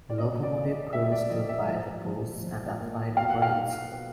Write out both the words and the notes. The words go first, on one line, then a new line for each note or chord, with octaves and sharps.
The locomotive crew stood by their posts and applied the brakes.
D5
C#4 D#5
D5
C#4
D#5
A3 E5
D5
F3 D#5
E5
F3
F3
F3
A#3
B2 F5
F#5
F5
D#4
B3